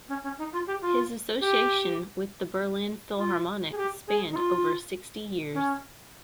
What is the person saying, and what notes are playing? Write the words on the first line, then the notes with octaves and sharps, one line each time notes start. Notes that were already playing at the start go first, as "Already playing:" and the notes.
His association with the Berlin Philharmonic spanned over sixty years.
C#4
C#4
D#4
F4
G4
F4
G4
F4
G#4
G4
G#4
D#4
F4
C#4